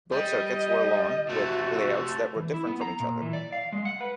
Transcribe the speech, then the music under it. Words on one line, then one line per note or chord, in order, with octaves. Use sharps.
Both circuits were long with layouts that were different from each other.
G3 D#5
C3 A3 F#4
E3
E4
B3
A#5
A#2
E3
D5
F5
G#3
F#5
B4